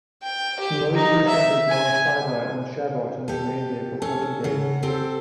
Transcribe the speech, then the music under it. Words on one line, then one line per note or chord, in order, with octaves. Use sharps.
Moses ascended Mount Sinai on Shavuot and remained there for forty days.
G5
G4
D#4
E5
G#5
G4 A4
C#4 A4
C#3 F#5
C4 G4 A4